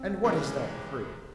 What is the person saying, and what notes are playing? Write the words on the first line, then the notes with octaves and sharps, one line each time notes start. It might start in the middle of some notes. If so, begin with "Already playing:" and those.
"And what is that proof?"
Already playing: C4
C3 E3 G#3 C#4